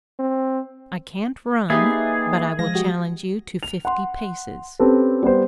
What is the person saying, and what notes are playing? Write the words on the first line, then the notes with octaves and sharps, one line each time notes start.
"I can't run; but I will challenge you to fifty paces."
C4
A#3 D#4 G4 G#4 B4 E5 A6 C7
F3 G#3 F5 A#6
G#3 F#4 G4
F7
F#5 C6
C4 C#4 G4 A4 B4
G3 B3 C5